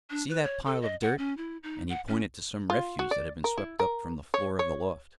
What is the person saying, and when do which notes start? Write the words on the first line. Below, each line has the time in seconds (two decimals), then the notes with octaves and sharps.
"See that pile of dirt?" and he pointed to some refuse that had been swept up from the floor of the loft.
0.10 D4
0.29 B4
0.43 C#5
0.65 A4
0.82 D#5
1.02 F#5
1.18 C#4
1.37 E4
1.63 D#4
1.90 F#5
2.08 C#4
2.70 F4
2.99 F#4
3.11 D5
3.44 A#4
3.57 E4
3.80 A#4
4.34 C#5
4.59 C#5